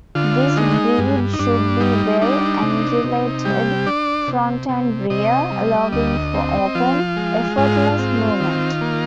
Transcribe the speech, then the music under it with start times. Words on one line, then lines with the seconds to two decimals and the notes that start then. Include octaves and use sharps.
This breed should be well-angulated front and rear, allowing for open, effortless movement.
0.15 D3 F4
0.57 G#3 D#4
0.98 G2
1.33 D#4
1.39 G2 D4
1.80 G3 D#4
2.22 D4 D#4
2.62 C3
3.04 C3
3.45 G3 G4
3.86 D4 D5
4.28 C3
4.69 C3
5.10 C3 D#5
5.52 G3
5.92 D2 D#5
6.34 C4
6.75 F3 F4
7.16 G#3
7.58 G#2 F4
7.99 C4
8.40 D#3
8.81 A#3